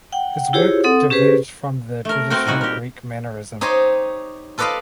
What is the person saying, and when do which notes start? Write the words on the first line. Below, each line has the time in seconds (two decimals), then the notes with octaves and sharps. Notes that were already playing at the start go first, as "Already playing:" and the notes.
His work diverged from the traditional Greek mannerism.
0.12 F#5 G5
0.53 E4 F4 G4 G#4 C5 C#5
0.84 C4 A4 F#5 D#6
1.10 C#4 G4 G#4 B4 C5
2.05 A3 A#4
2.30 A3 C4 F#4 A#4 G5
2.46 A#2 G3 D#4 F#4
2.61 G4 A#4
3.61 D#4 G4 C5 C#5 D#5
4.58 F4 A4 B4 D5 D#5 F5